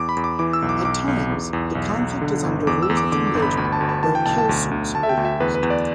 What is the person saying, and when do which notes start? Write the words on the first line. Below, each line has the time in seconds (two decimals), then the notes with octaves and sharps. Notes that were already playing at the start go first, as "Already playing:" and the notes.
At times, the conflict is under rules of engagement where "killsuits" are used.
Already playing: E2 D6
0.09 B5
0.17 E2
0.24 D6
0.39 E3 D6
0.53 E6
0.62 B1
0.69 D6
0.85 B1 D6
1.08 B1
1.30 E2
1.53 E2
1.75 B1
1.98 B1
2.21 D3
2.45 G1
2.67 E2 D6
2.83 E6
2.90 E2
2.97 D6
3.12 D3 D6
3.27 D6
3.35 G1
3.42 B5
3.57 D2 B5
3.72 A5
3.81 D2
3.89 A5
4.03 E3 A5
4.15 G5
4.26 B1 A5
4.38 A5
4.49 D2
4.71 D2
4.95 D2 A5
5.03 E5
5.09 G5
5.17 D2
5.25 E5
5.40 E2 B4
5.55 B4
5.63 E2
5.70 D5